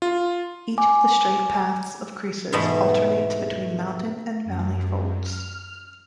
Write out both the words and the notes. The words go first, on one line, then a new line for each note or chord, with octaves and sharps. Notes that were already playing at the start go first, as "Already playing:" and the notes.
Each of the straight paths of creases alternates between mountain and valley folds.
F4
G#5 D6
E2 G#2 B2 G#3 A3 B5
F#2
F6